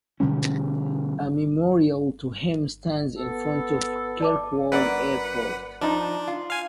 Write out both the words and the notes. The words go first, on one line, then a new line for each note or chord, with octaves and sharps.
A memorial to him stands in front of Kirkwall Airport.
B2 D3 G3 C#4
B3 A4
D5 A5 D6
F#2 A#3 B4 D5 F#5
F3 D4 D#4
F4
F5 G#5